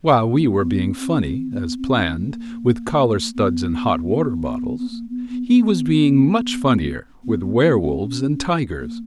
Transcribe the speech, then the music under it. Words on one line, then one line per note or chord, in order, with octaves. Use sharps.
While we were being funny, as planned, with collar-studs and hot-water bottles, he was being much funnier with werwolves and tigers.
A#3
B3
C#4
C4
C4
B3
C4
A#3
B3
B3
A#3
B3
B3
B3
B3
B3
B3
C4
C#4
A#3